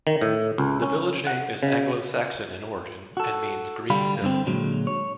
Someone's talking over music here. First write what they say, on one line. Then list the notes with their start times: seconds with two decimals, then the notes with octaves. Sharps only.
The village name is Anglo Saxon in origin, and means 'green hill'.
0.07 D#3
0.21 A2
0.58 C#2
0.82 C#4
1.27 F#5
1.63 C#3
3.17 F#4 A4
3.90 D3 G3 F5 B5
4.22 G2 D3 C4
4.46 A#2 D3 F#3 G#3
4.87 C#5